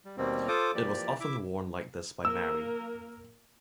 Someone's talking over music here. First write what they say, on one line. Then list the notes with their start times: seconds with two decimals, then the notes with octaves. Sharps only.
It was often worn like this by Mary.
0.05 G3
0.17 D#2 B2 G3 A#3 C4
0.48 F4 A4 C5 D6 D#6
0.75 E3 F3 A#3 G4 D5
1.20 E4 E5 D6
2.25 A#3 A#4 E6